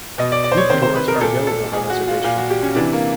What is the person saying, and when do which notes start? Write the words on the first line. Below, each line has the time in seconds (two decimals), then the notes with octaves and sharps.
Group tours are available by reservation.
0.18 B2 D#5
0.32 D5
0.44 D5
0.52 C5
0.57 C#5
0.69 D#3 C5
0.74 C3
0.82 C5
0.95 B4
1.08 A#4
1.21 A#2 A4
1.47 A4
1.72 A#2 G#4
1.90 F#4
2.08 F4
2.24 A#2 F4
2.38 F#4
2.50 G4
2.63 C#4
2.75 C3 E3 D4
2.93 A#3